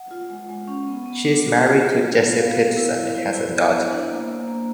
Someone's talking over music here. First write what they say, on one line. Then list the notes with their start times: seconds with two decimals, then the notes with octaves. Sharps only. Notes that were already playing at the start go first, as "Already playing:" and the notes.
She is married to Jesse Peterson and has a daughter.
Already playing: F#5
0.11 F4
0.30 G#3
0.49 G#3
0.68 C#4
0.87 B3
1.06 B3
1.25 D4
1.44 B3
1.63 F4
1.82 F4
2.01 F4
2.19 B3
2.38 B3 F5
2.58 B3
2.77 E4
2.96 E4
3.14 E4 C5
3.34 E4
3.52 B3
3.72 E4
3.91 D4
4.10 A#3
4.29 A#3
4.48 A#3